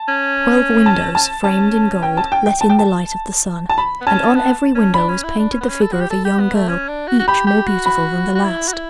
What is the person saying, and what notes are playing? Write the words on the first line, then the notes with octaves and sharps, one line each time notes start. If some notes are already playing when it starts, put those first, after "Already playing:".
Twelve windows framed in gold let in the light of the sun, and on every window was painted the figure of a young girl, each more beautiful than the last.
Already playing: A5
C#4
A5
A5
C#4 A5
G5
A5
G5
G5
A5
G5
A5
A5
B5
B3
C#4 A5
B3
C#4
D4 B5
C#4
E4
D4
C#4
B3
C#4
A4
F#4
G4
A4
G4
B3
A3
C#4
D4
F#4
F#4
G4 B5
G4
F#4
B5
F#4
E4
F#4
E4